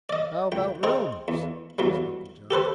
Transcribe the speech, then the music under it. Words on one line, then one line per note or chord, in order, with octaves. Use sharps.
"How about rooms?" asked Uncle John.
D5 D#5
C#2 G5
D#4 G#4 C5 G5
E2
E2 F#3 G3
G4 A4 B4 C5